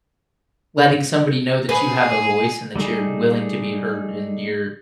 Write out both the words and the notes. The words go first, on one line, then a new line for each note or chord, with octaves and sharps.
letting somebody know that you have a voice and that you're willing to be heard, and you're
G#4 B4
G3 A3 D#4 G#4